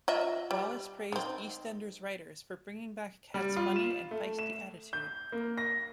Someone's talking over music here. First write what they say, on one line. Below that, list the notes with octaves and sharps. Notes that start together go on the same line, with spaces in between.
Wallace praised "EastEnders" writers for bringing back Kat's funny and feisty attitude.
F4 D#5 E5
G3
D#3 C4
G3
F4
E7
A3
E7
G6
A#3
A#6